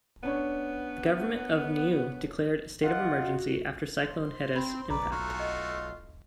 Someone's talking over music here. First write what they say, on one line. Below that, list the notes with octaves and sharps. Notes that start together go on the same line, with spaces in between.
The government of Niue declared a state of emergency after Cyclone Heta's impact.
B3 C#4 D4 C#5
D#4 F4 F#5
F#4
C5
C4 B5
B1 B4 D5 A#5
A3 F4 F#4
D#5